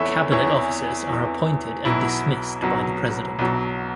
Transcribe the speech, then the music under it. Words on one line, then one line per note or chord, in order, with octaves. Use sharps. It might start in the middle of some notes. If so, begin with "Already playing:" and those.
Cabinet officers are appointed and dismissed by the President.
Already playing: E2 E3 A4 B4 C#5 E5
E2 E3 C#5
E2 E3
B1 B2 F#3 E4
B1 B2 F#3
B1 B2 F#3